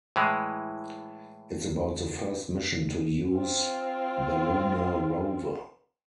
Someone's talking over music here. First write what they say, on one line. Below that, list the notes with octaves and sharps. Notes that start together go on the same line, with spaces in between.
It’s about the first mission to use the lunar rover.
A2 E3 G#3
C4 F4